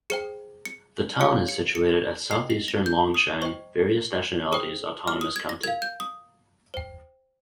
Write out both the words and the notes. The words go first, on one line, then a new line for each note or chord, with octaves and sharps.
The town is situated at southeastern Longsheng Various Nationalities Autonomous County.
G#4 C5 G5 C#7
C#7
G4 C#5 F5 C#7
C#7
C#7
A#4 D#5 G5 C7
C7
A#6
G6
D#6
C5 D#5 G5 C#6
G#4 C5 G5 D#6
F6
D#6
G#6
A#6
A#4 F5 G#6
G6
D#6
C5 G5